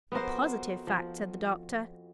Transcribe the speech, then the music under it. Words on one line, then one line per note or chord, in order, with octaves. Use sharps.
"A positive fact," said the Doctor.
F2 B3 F#4 A#4 C5
F3